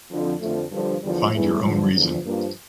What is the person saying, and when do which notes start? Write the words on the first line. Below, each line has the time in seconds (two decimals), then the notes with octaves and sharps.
Find your own reason.
0.10 F2 D3 F3
0.40 F2 D3 F3 A3
0.71 G2 D3 F3
1.02 E2 D3 F3 G3
1.33 E2 E3 A3
1.63 E2 D3 F3
1.95 E2 D3 F3
2.25 G2 F3 A#3